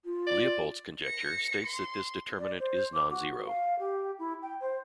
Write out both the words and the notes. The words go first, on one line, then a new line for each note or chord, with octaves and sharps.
"Leopoldt's conjecture" states that this determinant is non-zero.
F4
D5
A#6 C#7
C6
D5
C5
D6
F#4
F5
G4
E4
G5
C5